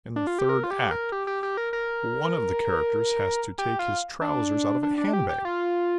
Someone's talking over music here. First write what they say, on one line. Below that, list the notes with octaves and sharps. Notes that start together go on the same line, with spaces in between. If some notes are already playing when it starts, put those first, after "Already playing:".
In the third act one of the characters has to take his trousers out of a handbag.
D4
F4
G4
A#4
F4
G4
A#4
G4
G4
G4
A#4
A#4
G4
F4
D4
D4
D4
G4
G4
F4